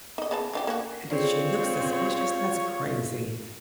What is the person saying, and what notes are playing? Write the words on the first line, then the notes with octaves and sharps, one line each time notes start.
Did she look suspicious? That's crazy.
D#4 D#5
C#3 B3 A5
F3 D4 G4
A#3 C#4 F#4
C4 F4 G#4 C#5 D5